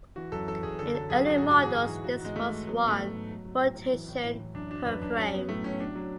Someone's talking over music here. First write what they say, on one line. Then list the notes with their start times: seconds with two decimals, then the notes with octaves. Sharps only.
In early models, this was one rotation per frame.
0.16 E3 F#4
0.32 F#2 A4
0.47 E3 A4
0.63 F#2 G#4
0.79 D3 A4
0.95 F#3 A4
1.10 F#2 G#4
1.25 D3 F#4
1.38 G#2 G#4
1.50 F#4
1.57 E3
1.62 G#4
1.73 G#2 F#4
1.88 E3
2.04 G#2 F#4
2.20 G#2 G#3
2.35 E3 A3
2.51 E3
2.67 F#3 B3
2.82 G#2
2.88 A3
2.98 F#3
3.14 G#2
3.29 F#3
3.45 F#3
3.61 A2
3.76 F#3
3.92 E3
4.08 A2
4.23 A2
4.39 E3
4.54 F#2 D4
4.71 F#3 D4
4.86 F#2 B4
5.02 F#2 D4
5.17 F#3 C#4
5.33 F#3 B3
5.49 A2 A3
5.64 A2 C#4
5.80 F#3 D4
5.95 F#3